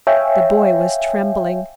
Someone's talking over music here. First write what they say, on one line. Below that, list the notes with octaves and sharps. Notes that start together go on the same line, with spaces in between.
The boy was trembling.
C#5 E5 F5 G5 G#5